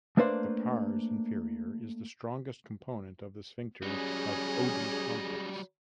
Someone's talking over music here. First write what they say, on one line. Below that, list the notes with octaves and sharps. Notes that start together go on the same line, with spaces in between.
The pars inferior is the strongest component of the sphincter of Oddi complex.
A3 A#3 D4 B4 C5 F5
F#3 G3 C#4 G#4 D#5